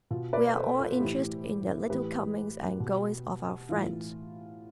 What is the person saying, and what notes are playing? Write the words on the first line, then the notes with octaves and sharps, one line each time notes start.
We are all interested in the little comings and goings of our friends.
B2 F4
B4 D5
D5
A4 C5
F4 A4
F4
A2 E3 E4 G4
A2 E3 G4 B4
B2
A2 E3 F4